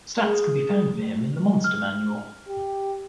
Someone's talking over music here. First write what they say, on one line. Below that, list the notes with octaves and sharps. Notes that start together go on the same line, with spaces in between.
Stats can be found for him in the Monster Manual.
G#4
A3
F6
G4